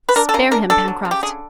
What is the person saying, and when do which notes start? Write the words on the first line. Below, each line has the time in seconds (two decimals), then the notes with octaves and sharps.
"Spare him, Pencroft."
0.09 B4
0.16 D4 A#4
0.29 A4
0.34 C#3 A#4
0.51 D4 A#4
0.70 D4 A4
0.88 F#3
1.05 C#3
1.11 G4
1.23 D3 G#4